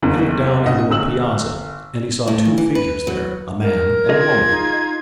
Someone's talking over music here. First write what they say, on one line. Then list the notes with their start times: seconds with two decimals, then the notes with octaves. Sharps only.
He looked down into a piazza and he saw two figures there, a man and a woman.
0.02 F#1 E2
0.66 G#1 D#5 F#5
0.91 G1 E6 F#7
2.28 A2
2.45 A#2
2.58 E3
2.75 B4
3.07 F#3
3.63 A#4
4.09 F4 G#4 D#5 G#6
4.51 D#4